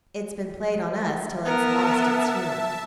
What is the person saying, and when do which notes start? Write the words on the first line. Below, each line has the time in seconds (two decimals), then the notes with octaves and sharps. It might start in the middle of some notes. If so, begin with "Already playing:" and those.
"It's been played on us till it's lost its humor."
1.45 B3 A#4 E5 A5